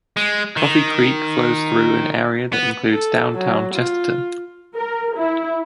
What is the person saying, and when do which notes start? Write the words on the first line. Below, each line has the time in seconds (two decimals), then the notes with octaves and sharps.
Coffee Creek flows through an area that includes downtown Chesterton.
0.17 G#3
0.57 D#3
2.53 B3
2.91 A4
3.35 F#3
3.74 F4
4.75 A#4
5.16 E4